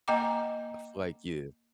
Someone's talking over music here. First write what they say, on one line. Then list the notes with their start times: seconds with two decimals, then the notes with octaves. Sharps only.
I feel like yeah.
0.08 A#3 D#5 F#5 G5 A#5 D6